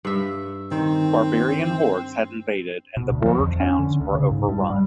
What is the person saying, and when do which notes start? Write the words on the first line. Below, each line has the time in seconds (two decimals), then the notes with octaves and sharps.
Barbarian hordes had invaded and the border towns were overrun.
0.05 G2 E5
0.71 D#3 C4
2.97 B2
3.10 D2
3.24 F3
3.40 F2
3.60 C#4
3.79 D3
4.01 D2
4.15 C#3
4.31 G#2
4.49 G2
4.70 G3